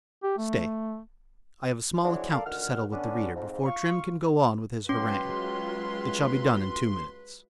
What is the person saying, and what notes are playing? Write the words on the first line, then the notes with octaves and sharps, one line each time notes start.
Stay--I have a small account to settle with the reader before Trim can go on with his harangue.--It shall be done in two minutes.
G4
A3
E3 G#3 C4 D4 F#4 C#5
A4 A#4 D5 F5
D2 A#2 D#3 F#5 F6
D3 B3 C#4 D4
F2 G#2
F4 F5 C#6
F#3 G#3 C#4 F4 B4 C6